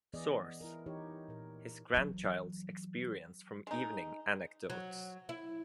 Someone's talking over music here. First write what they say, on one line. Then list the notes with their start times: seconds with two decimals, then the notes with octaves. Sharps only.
Source: His grandchild's experience from evening anecdotes.
0.14 E3 B3 G#4 D5 D#5
0.61 E4 A#4
0.86 E3 D#4 G4 C#5
1.28 A#2 A#4
1.94 E3 F#3
3.67 G#3 D#4
4.70 F#3
5.29 E4